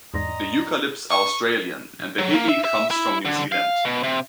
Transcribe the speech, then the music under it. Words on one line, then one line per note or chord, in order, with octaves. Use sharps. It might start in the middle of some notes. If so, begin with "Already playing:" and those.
The eucalypts are Australian; and the hebe comes from New Zealand.
E2 G#2 D5 D#5 A#5 C6 A#6
C#6
F#3
A#3
E5
E5
E4
D3
F5
B2
C3